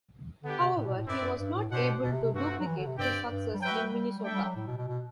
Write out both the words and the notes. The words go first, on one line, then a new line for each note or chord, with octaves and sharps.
However, he was not able to duplicate his success in Minnesota.
D3 B3 D4 G4
C3
A2
B2
A2
F#2 C4 E4 B4 D5
F#2
G2
A2
B2 D4 G4 C5 F#5
B2
C3
C3
G2 A3 C4 F#4
F#3
E3
D3
C3
G2 C4 G4 D5 G5
G2
G3
F#3 F#4 B4 E5 G5
A3
G3
G3
G3
A3 D4 A4 E5 G5
G3
F#3
A2
B2
B2
B2